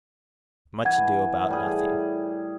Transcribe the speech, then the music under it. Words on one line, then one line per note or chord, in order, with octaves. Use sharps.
Much Ado about Nothing.
E3 F#5 G#5 G#6
A2 G3 G#4